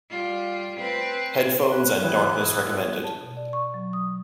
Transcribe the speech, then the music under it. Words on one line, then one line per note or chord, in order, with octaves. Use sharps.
Headphones and darkness recommended.
G3 F4
C4 B4
B4
B2 E3 B3 E4 F#6
A5
B2
D5
C#6
F#3
D#6